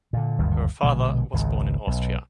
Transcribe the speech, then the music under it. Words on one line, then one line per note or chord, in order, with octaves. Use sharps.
Her father was born in Austria.
A#2 D3
F#1 D2 G2 D#3
A#1 B2 D3 G#3
G#1 C#2 C#3
B1